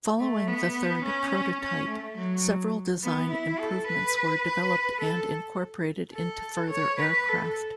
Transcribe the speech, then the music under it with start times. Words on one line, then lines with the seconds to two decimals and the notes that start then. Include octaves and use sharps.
Following the third prototype, several design improvements were developed and incorporated into further aircraft.
0.19 A3
0.47 B3
1.04 C#4
1.61 C#4
1.89 A3
2.18 F#3
3.03 B3
3.31 E4
3.60 A4
3.88 B4
4.44 B4
5.01 A4
6.14 A4
6.71 C#5
7.00 B4
7.28 A4